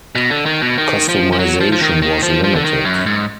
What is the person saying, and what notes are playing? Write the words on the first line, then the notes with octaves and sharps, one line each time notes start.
Customization was limited.
B2
D3
D#3
B2
D#3
F3
F3
F#3
F3
F3
D#3
D#3
F3
F3
D3
D#3
F#2
G#2